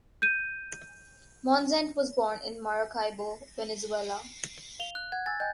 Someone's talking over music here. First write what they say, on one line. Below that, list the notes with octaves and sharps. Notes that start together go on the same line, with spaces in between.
Monzant was born in Maracaibo, Venezuela.
G6 D#7
F5 F7 G7
F#6
F#5 G#6
G#5 E6 A6
D#5 G5 G#5 G6